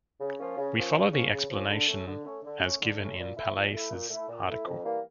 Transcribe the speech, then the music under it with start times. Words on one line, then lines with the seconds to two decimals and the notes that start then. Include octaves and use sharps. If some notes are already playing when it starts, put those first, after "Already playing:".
We follow the explanation as given in Palais's article.
0.20 C#3
0.40 F3 A#3 C#4 F4
0.58 C#3
0.76 F3 A#3 C#4 F4
0.95 C#3
1.13 F3 A#3 C#4 F4
1.32 C#3
1.50 F3 A#3 C#4 F4
1.70 D3
1.88 A3 C#4
2.07 D3
2.25 A3 C#4
2.43 D3
2.62 A3 C#4
2.81 D3
2.99 A3 C#4
3.18 A#2
3.37 A3 E4
3.55 A#2
3.74 A3 E4
3.91 A#2
4.10 A3 E4
4.29 A#2
4.47 A3 E4
4.67 F2
4.85 E3 G3 A#3